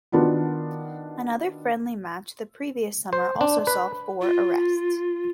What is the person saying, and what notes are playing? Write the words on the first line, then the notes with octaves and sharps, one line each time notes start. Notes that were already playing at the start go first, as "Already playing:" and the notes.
Another friendly match the previous summer also saw four arrests.
D#3 B3 D4 F4 F#4
C5
D4
B4
F4